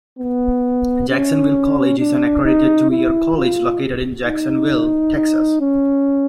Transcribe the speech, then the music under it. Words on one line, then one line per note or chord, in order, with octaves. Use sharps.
Jacksonville College is an accredited two-year college located in Jacksonville, Texas.
B3
C#4
D4
D#4
E4
F4
D#4
D#4
C#4